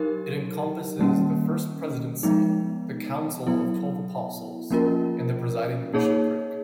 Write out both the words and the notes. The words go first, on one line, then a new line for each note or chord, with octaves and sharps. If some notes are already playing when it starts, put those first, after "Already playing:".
It encompasses the First Presidency, the Council of Twelve Apostles, and the Presiding Bishopric.
Already playing: F#3 D#4 G4 A#4
D#3 G3 A#3 C#4
F3 G#3 B3 D#4
F#3 B3 E4
F3 A#3 C#4 F4 A#4
A#3 D#4 G#4 C#5